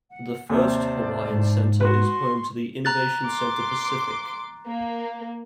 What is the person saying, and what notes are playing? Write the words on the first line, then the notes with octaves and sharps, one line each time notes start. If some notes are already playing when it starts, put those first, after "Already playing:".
The First Hawaiian Center is home to the Innovation Center Pacific.
F#5
D#2 C3 C5 D5 A5
G#2
F#4 B4 C6 C#6
A#5 F#6 A6
C6 D6
A#3